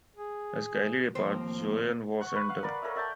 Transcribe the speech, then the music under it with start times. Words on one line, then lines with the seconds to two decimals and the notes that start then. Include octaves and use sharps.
As Kaylee departs, Zoe and Wash enter.
0.16 G#4
1.15 D#2 F3 A#3 C4
2.21 F#5 C#6
2.36 B4
2.49 F5 F#5
2.63 A#4 B4 D5 B5
2.82 A4 A#4 C#5 E5
2.95 D5 E5 G5 A5